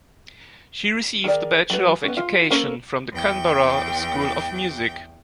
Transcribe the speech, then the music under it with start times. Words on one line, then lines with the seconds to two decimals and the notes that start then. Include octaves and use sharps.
She received a Bachelor of Education from the Canberra School of Music.
1.24 D#3 G#4 A#4 D5
1.70 F#3 B4
2.04 B3 C#4
2.17 F4
2.51 A#3 C#4 A4 A#4 C5
3.13 E2 G5